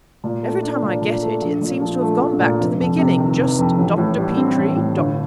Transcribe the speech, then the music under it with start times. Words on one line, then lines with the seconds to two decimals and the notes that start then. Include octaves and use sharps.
Every time I get it, it seems to have gone back to the beginning--just Dr. Petrie--Dr.
0.24 A#2
0.43 A3
0.63 D4
0.83 A#2
1.02 A#2
1.22 A3
1.42 A#1
1.62 A#2
1.81 F3
2.01 A3
2.21 A#1
2.41 A#2
2.60 F1
2.80 F2
2.99 C3
3.18 D#3
3.38 F1
3.59 F2
3.78 A1
3.98 A2
4.17 G3
4.37 C4
4.56 A1
4.76 A2
4.97 G1